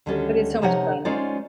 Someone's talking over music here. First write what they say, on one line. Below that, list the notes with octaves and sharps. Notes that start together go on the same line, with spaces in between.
But it's so much fun.
D2 D3 D#3 G3 C#4 A4
C3 F3 D#4 C#5 E5 F#5
G#3 C#4 D#4 F4 C5 D5